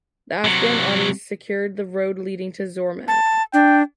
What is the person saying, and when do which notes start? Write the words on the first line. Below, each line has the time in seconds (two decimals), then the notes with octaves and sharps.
The Afghan Army secured the road leading to Zormat.
0.44 C3 F#3
3.08 A5
3.54 D4 G5